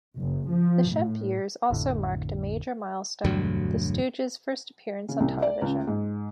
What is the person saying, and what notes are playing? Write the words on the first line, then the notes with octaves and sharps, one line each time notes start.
The Shemp years also marked a major milestone: the Stooges' first appearance on television.
F#1
F3
A2
A1 F2 A2 D3
E1 D2 G2 F#3
C#3
C2
D5
C#2
G#2